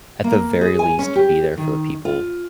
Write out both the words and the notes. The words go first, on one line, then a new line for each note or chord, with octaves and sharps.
at the very least, be there for the people
A#3
G#4
G#5
C#4
G4
D#3
F4